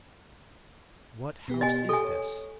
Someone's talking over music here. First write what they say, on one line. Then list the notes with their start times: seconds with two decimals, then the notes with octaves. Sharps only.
"What house is this?"
1.48 B2 B3 G4
1.61 D#5 G#5
1.89 G4 A4 G#5
2.05 C#5